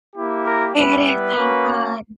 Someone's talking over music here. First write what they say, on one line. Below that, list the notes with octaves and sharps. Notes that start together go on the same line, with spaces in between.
It is so good
A#3 E4 G4
A#4
G3 B3 E4 B4
B4
A#3 C#4 F#4